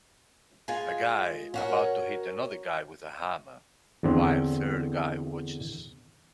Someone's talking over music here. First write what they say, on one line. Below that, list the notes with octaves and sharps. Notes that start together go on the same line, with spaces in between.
A guy about to hit another guy with a hammer, while third guy watches.
G#3 F4 G#5
C#4 F#4 A#4
E2 D3 C4